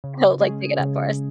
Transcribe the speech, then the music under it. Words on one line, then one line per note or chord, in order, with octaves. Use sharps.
he'll, like, pick it up for us.
C#3
G#3 C#4 G#4
C#3